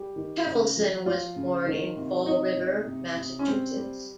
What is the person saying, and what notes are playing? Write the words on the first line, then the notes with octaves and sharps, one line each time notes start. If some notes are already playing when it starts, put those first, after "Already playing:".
Kevelson was born in Fall River, Massachusetts.
Already playing: G3 G4
D#3
C#3
F3
F3 F4
C#3
D#3
C3
C3 D#4
C3
C3
C3
C#4
G3 C4
G3